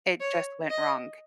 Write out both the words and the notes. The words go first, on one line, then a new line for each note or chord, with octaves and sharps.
it just went wrong,
C#5
D#5